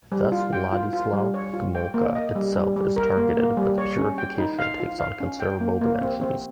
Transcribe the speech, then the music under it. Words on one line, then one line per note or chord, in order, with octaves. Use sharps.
Thus Władysław Gomułka itself is targeted but the purification takes on considerable dimensions.
G3
F4
G5
F4
F4
G3
C#5
F4
G5
A#3
D#5
G3
G3
G3
A#4
A#3
A#3
G3
C#5
C#4
G5
D#4
F5
F4
F5
C#4
G5
A#3
A#3
C4
C4